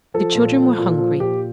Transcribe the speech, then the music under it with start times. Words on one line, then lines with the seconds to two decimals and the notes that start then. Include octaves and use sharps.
The children were hungry.
0.14 F3 A4
0.35 A#2
0.56 F3
0.78 A#2
0.98 F3
1.20 A#2 G4